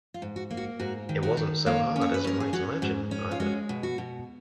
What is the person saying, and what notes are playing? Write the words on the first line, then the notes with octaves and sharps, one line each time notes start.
It wasn’t so hard as you might imagine, either.
F4
G#2
F#4
A#3
F#4
G#2 F#4 A#4
D#3
F#4 A#4
D#3
A#3 C#5 F5
C#4
C#5
B4
C#4 A#4
G#4
C#4 F#4
G#2 F#4
C#4
F4
G#3 F#4
B2
F#4
B2